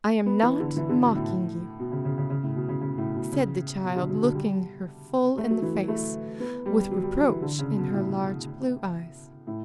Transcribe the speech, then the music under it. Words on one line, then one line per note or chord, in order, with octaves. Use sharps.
"I am not mocking you," said the child, looking her full in the face, with reproach in her large blue eyes.
B3
E3
D3
E3
D3
B2
A2
B2
C#3
C#3
C#3
C#3
A2
B2
C#3
C#3
A2
B2
C#3
B2
D3
F#3
D3
G3
A3
F#3
E3
F#3
A3
B3
G3
G3
F#3
G3
F#3
E3
D3
C#3
B2
A2
A2